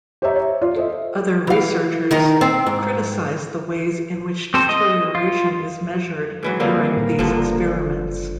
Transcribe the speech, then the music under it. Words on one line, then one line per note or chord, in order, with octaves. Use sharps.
Other researchers criticize the ways in which deterioration is measured during these experiments.
G4 C5 C#5 D#5 E5 A#5
C#5
F4 D5
A4 C5 D#5 E5
E3 F5
D#3 D#4 A#4
C4
G#2
C4 A4 C5
D#5
F4
G#2 E3 F#3
D3 G3 A#3 C4
A2
F#1 G2 D3 F3